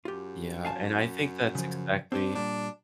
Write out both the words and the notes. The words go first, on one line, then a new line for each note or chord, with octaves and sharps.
Yeah, and I think that's exactly
F#2 F4 G4
F5 G#5 A5
C#3 F3
C4 D4 C5
A#2 G3 D4